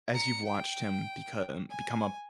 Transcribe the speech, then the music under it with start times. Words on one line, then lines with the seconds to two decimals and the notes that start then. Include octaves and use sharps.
as you've watched him become become a
0.13 A#5 C#7
0.43 G5
1.70 G#5